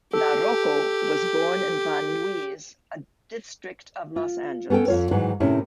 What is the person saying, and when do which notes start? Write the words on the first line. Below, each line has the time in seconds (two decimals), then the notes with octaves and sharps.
LaRocco was born in Van Nuys, a district of Los Angeles.
0.13 G4 A4
4.16 F4
4.70 B3 C#4 G4 A4 G5
4.88 F2 F4 C#5
5.11 G#2 D#3 E3 F#3
5.40 A2 C3 D#3 C4 C#4 E4